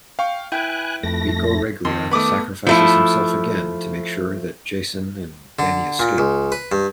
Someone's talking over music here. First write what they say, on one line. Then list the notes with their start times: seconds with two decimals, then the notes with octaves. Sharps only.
Miko Reglia sacrifices himself again to make sure that Jacen and Danni escape.
0.19 F5 G5 C#6
0.52 E4 B4 G5 G#5 F#6
1.03 F2 A3 A#6
1.85 F2 D#3 C6
2.11 A3 B3 B5 D6 D#6
2.67 F3 A3 E4
5.59 D3
5.99 A#2
6.18 C#2
6.52 B4
6.72 G2